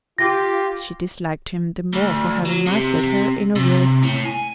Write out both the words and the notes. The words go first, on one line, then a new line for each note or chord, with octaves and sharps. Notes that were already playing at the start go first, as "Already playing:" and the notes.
She disliked him the more for having mastered her inner will.
F4 G4 A#6
D2
F#3
C3
C3
A2
G#5